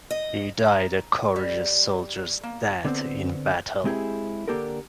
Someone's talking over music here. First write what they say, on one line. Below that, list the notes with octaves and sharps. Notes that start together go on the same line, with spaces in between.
He died a courageous soldier's death in battle.
D#5
A#5
G3
A#3
D3 B3 C4
G#3 C4 E4 G4 G#4
D3 A#3 G4 A4 A#4